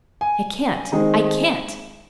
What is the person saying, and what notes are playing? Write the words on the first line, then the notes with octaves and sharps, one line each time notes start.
I can't--I can't!
G#5
D#3 G#3 C4 D#4